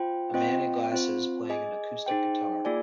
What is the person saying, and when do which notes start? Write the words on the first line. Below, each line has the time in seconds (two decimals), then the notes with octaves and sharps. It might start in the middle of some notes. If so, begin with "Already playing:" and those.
A man in glasses playing an acoustic guitar.
Already playing: F4 C5 G5
0.34 C4 F4 C5 D#5 G5
0.92 C4 F4 C5
1.49 G#4 D#5 G#5
2.06 D#4 G#4 C5 G5
2.65 A#3 F4 G#4 D5 G#5